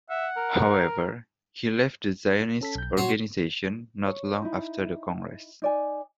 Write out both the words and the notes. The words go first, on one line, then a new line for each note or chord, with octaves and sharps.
However, he left the Zionist Organization not long after the Congress.
E5 F#5
A#4
C#4 A4 B6
B1 G6
A#2 F#4 C5 C#5
C#5
D#4 E4
D#4 D5 G#5